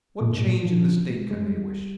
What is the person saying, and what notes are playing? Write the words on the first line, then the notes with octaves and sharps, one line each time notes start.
What change in the state can they wish?
A#2
G#2
A#2
F3
G#3
G#3
G3